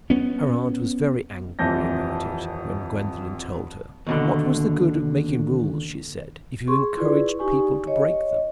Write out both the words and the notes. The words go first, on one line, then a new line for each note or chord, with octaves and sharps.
Her aunt was very angry about it when Gwendolen told her, for what was the good of making rules, she said, if you encouraged people to break them?
B3 C#4
D#1 F2 E3 F3 G6 A#6
D#2 B2 D3
G#4 C6 C#6
E4 F4 G#4 B4 D5
D#4 G4 G#5 C#6
C#5 D#5